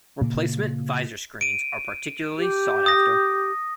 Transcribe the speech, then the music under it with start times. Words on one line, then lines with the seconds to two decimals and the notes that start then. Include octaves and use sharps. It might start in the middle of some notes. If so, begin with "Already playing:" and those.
Replacement visor screens are particularly sought after.
0.21 A#2 C#3 A#3
1.41 D7 D#7
2.37 G4
2.86 D#6 A#6